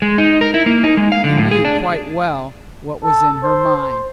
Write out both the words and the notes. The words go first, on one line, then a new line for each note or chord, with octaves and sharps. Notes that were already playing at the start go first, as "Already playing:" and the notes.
He knew quite well what was in her mind.
G#3
D#4
A#4
E4
A#3
D#4
G#3
F5
D3
A2
G#4
D4
A4
C5
C5